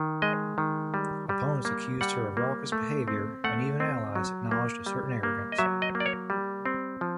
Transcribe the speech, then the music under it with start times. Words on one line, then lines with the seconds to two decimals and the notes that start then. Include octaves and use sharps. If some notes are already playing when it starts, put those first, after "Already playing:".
Opponents accused her of raucous behavior, while even allies acknowledged a certain arrogance.
Already playing: D#3
0.22 G#3 D#5
0.58 D#3
0.94 G3
1.29 G3
1.65 A#3
2.01 G3 F#5
2.37 A#3
2.72 A3
3.08 C4
3.44 A3 F#5
3.80 C4
4.15 F#3
4.51 A#3
4.86 G3
5.23 A#3
5.52 D#5
5.58 F#3 E5
5.82 D#5
5.95 A#3
6.00 D5
6.06 C#5
6.30 G3
6.66 C4
7.01 F3